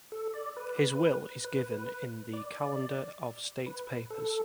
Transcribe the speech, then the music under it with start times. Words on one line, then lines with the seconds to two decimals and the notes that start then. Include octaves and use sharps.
His will is given in the "Calendar of State Papers".
0.12 A4
0.34 D5
0.57 B4
1.44 B4
2.33 D5
3.66 B4
4.10 A4